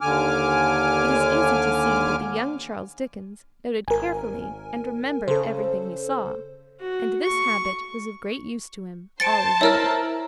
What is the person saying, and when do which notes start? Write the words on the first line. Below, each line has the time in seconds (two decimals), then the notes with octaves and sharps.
It is easy to see that the young Charles Dickens noted carefully and remembered everything he saw, and this habit was of great use to him all his life.
0.01 D#2 D3 G#5 D6 F6
3.88 G#1 A#4 G#5
5.28 C#3 A4 C5
6.80 F#4
7.23 C#6
9.20 C5 A5 A6 C#7 D7
9.61 E4 A#4 C#5 E6 F6